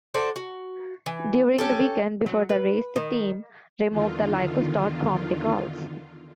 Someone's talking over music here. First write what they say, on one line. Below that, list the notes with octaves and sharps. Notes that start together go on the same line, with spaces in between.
During the weekend before the race the team removed the Lycos dot com decals.
F#4 A4 C5 D5
F#4
E3
C#4 G4 A4
F#3
B4
D#3
E2 D3 D#3 F4